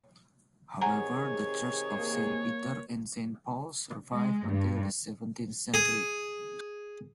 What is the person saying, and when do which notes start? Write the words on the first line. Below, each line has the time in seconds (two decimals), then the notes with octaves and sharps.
However, the church of Saint Peter and Saint Paul survived until the seventeenth century.
0.81 C3 D#3 G#4 C#5 F#5 G#5 A#5
1.98 A#3
4.12 G#3
4.48 G2
5.74 G#4